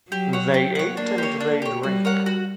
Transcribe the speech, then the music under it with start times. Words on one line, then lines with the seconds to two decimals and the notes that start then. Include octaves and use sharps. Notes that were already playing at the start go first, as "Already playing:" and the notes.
They ate and they drank.
0.11 F#3 G4
0.33 C#5 F#5
0.54 G4
0.75 C#5 F#5
0.97 A#3 D4
1.18 G4 C#5
1.41 D4
1.62 G4 C#5
1.83 G3 F#4
2.05 A#4 C#5 F#5
2.26 F#4